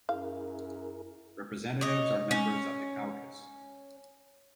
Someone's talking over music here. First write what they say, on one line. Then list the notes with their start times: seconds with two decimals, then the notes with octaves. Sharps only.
Representatives are members of the caucus.
0.09 F#2 E4 G#4 A#4 F5
1.81 C#5 D#5
2.31 C#4